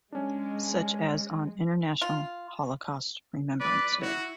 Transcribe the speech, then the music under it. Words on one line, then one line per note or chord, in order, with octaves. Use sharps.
Such as on International Holocaust Remembrance Day.
G#3 C#4 D4
F4
B4 D5
E4 F#4